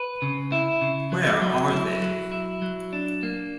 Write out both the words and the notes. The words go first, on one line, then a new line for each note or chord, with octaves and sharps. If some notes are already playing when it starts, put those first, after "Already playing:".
Where are they?
Already playing: B4
C#3
E4
C#3
F#3
F#3
E4
F#3
E4
F#3
D4
A#3